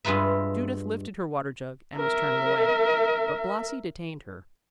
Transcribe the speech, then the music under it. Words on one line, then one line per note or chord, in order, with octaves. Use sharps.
Judith lifted her water-jug and was turning away, but Blasi detained her.
G2 G#3 F4 B4 E5
A#4 E5